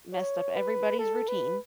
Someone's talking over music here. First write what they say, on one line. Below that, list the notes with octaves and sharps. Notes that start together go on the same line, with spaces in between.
messed up everybody's routine.
C#5
B4
A4
B4